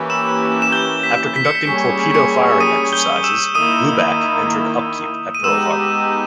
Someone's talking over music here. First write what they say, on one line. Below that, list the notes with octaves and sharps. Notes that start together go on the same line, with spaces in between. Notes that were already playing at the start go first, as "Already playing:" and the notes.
After conducting torpedo firing exercises, "Blueback" entered upkeep at Pearl Harbor.
Already playing: E3 A#3 C#4 G4 B4
E6 E7
E7
G6 G7
B6
B6
C#7
B6
G3 A#3 C#4 G#4 C#5 B6
C#6 C#7
D#6 D#7
G6 G7
E6 E7
D#3 A#3 E4 D#6 D#7
D#7
G#3 B3 D#4 G4 E6 E7